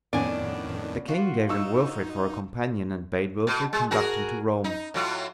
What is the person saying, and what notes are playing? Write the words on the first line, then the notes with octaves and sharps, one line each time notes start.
The king gave him Wilfrid for a companion, and bade Wilfrid conduct him to Rome.
F2 A2 D#3 B3 C#4 D4 D5 G#5
F4 F#4
D#4 C#6 E6
B2
G#3
F#4 G#4 A#4
D#4
A2 F#3 F4